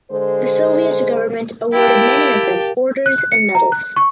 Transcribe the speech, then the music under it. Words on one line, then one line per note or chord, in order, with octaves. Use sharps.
The Soviet government awarded many of them orders and medals.
D3 G#3 C5
E4 G4 A#4 F5 G5 A5
F#6
F#6
C#7
A#5
F#6
C#6